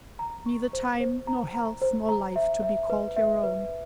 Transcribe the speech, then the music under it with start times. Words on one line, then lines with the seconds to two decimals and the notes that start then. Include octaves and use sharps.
Neither time, nor health, nor life, to be called your own.
0.19 A#5
0.46 C#6
0.73 C5
1.00 C5
1.27 A#5
1.54 A#5
1.82 C5
2.09 A#5
2.36 E5
2.63 E5
2.90 B4
3.16 E5
3.44 B4